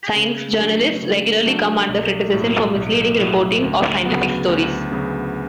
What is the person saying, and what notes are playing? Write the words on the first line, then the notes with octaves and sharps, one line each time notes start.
Science journalists regularly come under criticism for misleading reporting of scientific stories.
C#3
F#3 A3 D4
C#3
F#3 A3 D4
B1
A2 F#3
B1
A2 F#3
D2
C#3 F#3 B3 F#4
D2
C#3 F#3 B3 F#4